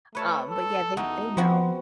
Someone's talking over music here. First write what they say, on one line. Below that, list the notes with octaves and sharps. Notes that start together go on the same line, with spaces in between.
Um, but, yeah, they they know.
A3 B4 C#5 A5
A4
E2 D#4 F#4
F3 B3 C4 F#4